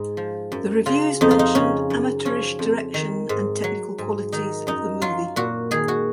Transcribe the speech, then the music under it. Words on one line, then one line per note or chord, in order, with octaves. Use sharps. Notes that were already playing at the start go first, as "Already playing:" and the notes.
The reviews mentioned amateurish direction and technical qualities of the movie.
Already playing: G#2
F3
F#2
C#3 F4
F2 D#4
F4
D#4
C#3 C#4
F#2
F3 C#4
F2
D#3
G#2
F#3
G#2
D#3 D#4
F#2 D#4
F#3 F4
A#2 F#4
D#3 G#4
F#4